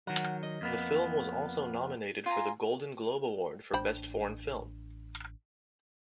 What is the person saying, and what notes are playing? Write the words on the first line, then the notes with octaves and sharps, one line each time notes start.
The film was also nominated for the Golden Globe Award for Best Foreign Film.
D#3 F#3 F#5
D#5
F2 A#3 B3
F4 G#5 A#5
A1 D4 C5 G5 B5